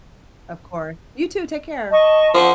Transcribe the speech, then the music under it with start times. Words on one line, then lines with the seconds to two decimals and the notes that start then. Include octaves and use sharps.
Of course. You too. Take care.
1.91 D#5 A5 C#6
2.34 F3 F#5